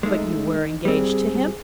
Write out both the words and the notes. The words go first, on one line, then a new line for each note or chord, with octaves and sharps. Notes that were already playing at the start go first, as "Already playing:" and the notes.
"But you were engaged to him?"
G#3 A3 D#4
G3 C4 G#4